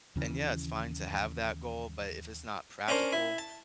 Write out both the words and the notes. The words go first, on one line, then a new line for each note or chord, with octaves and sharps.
and, yeah, it's fine to have that goal, but if it's not practical,
D#2 C#3 E3
C#4 D4 A#4 C5
E4
A5